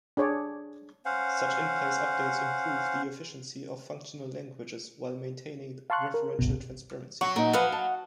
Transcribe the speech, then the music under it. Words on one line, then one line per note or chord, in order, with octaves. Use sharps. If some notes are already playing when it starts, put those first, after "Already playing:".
Such in-place updates improve the efficiency of functional languages while maintaining referential transparency.
D4 G#4 C#5 D5
C#4 C5 F5 F#5
F5 A5 C6 C#6 F#6
A#4
G1 C2 B2
F#3 F#5 C#6
A#2 D#4 A#4
F3 B4 D#5 F5 F#5
A5